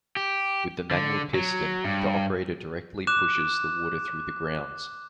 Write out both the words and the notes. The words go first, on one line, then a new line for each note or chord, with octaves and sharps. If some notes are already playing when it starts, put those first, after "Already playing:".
With the manual piston, the operator directly pushes the water through the grounds.
G4
D3
F#3
G2
D6 F#6 E7